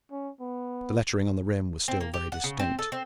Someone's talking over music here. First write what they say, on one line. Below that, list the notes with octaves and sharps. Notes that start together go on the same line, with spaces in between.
The lettering on the rim was still very distinct.
C#4
B3
C4
A#3
G4
F#5
C#3
C4
A4
C4